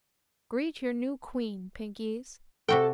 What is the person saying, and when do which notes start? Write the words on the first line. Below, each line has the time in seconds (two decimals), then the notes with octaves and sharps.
"Greet your new Queen, Pinkies!"
2.69 C3 F#4 A4 G5